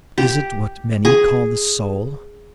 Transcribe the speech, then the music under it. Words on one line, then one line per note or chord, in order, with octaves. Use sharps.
Is it what many call the soul?
G4
G#4